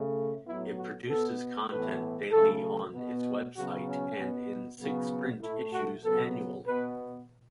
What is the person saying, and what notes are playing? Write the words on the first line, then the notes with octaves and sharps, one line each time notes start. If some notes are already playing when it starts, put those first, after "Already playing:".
It produces content daily on its website, and in six print issues annually.
Already playing: C#3 A3
A2 F#3 B3 E4
F#4
B2 B3 A4
A2 E3 B3 B4
C#3 F#3 A3 A4
B2 B3
C#3 F#3 B3 F#4
C#4
B2 B3
C#3 F#3 B3
A2 A3 E4
F#4
C#3 F#3 B3 A4
B2 B3 B4